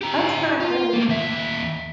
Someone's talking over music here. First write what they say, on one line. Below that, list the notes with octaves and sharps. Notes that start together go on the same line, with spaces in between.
That's kinda cool.
G4 A#5
F4
A3 A#3
D#2 E5